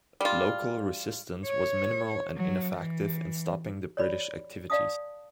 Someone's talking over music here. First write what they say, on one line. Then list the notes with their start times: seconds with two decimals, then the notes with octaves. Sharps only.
Local resistance was minimal and ineffective in stopping the British activities.
0.21 G3 F4
1.45 C#5
2.37 F#3
2.76 E3
3.97 C#5 D5 B5
4.70 D5 F5 A5 D#6